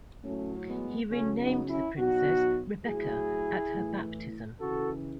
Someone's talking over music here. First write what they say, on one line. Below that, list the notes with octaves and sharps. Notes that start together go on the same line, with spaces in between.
He renamed the princess "Rebecca" at her baptism.
A2 F#3 A3 C#4
G#3 B3
C#3 F#3 A3 C#4
B3 D#4
C#4 E4
B2 F#3 D#4 F#4
A2 F#3 E4 G#4
A2 E3
C#3 E3 F#4 A4